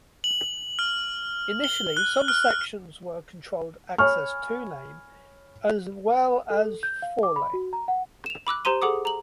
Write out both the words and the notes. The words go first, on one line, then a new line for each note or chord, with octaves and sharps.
Initially, some sections were controlled access two-lane, as well as four-lane.
F#7
F6
G7
F#6
F6
C#5 G#5 B5 C#6 F6
A4
G6
F5
D6
B5
F#4
A#5
F#5
E7 F7
B5 D6 E6 F#6
G4 C5 A#5 C6 D#7
G#4 A4 F#5 D6 D#6
A#5 F#7